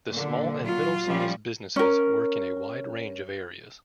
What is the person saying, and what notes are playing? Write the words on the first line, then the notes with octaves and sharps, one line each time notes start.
The small and middle-sized businesses work in a wide range of areas.
A#2 D3
F#3 F4
F3 G3 C#4
C#4 A#4